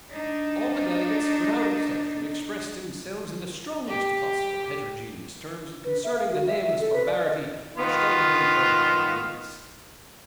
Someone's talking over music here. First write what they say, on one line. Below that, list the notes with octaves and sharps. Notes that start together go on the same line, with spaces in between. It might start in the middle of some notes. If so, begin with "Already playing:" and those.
All the delegates without exception expressed themselves in the strongest possible heterogeneous terms concerning the nameless barbarity which they had been called upon to witness.
D4 D#4
G4
B4
E5
F5
F#4
E5
E5
A4
B4
D5
D#5
D#3 B3 F4